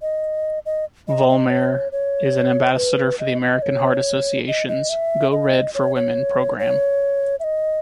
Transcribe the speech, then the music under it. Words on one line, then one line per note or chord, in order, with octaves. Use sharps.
Vollmer is an ambassador for the American Heart Association's "Go Red for Women" program.
D#5
D#5
D#5
D#5
C#5
C#5
B4
D#5
D#5
C#5
D#5
D#5
E5
D#5
C#5
C#5
C#5
E5
D#5